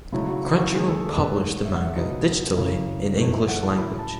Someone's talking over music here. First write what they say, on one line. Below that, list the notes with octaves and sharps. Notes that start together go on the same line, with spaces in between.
Crunchyroll published the manga digitally in English language.
C#3 F#3 A3 D#4 E4
F#4
E4
F#4
D#2 D#3 G#3 D#4 G#4
A4
A4
B4
G#2 D#3 A3 D#4 C#5
E5
F#5
E5
C#2 B2 F#3 B3 D#4 D#5
F#2 C#3 E3
F#2 E3 A3 D#4 C#5
E5
F#5
A5
A2 F#3 C#4 E4 B5
A5